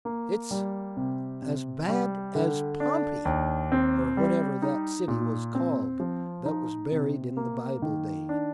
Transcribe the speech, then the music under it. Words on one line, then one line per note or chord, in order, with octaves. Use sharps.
"It's as bad as Pompey, or whatever that city was called that was buried in the Bible days."
A#3
G3
C3
C3
G3
D3
D4
D#2
C4
G3
D#4
A#2
C4
F3
D#4
C3
A#3
D#3
D4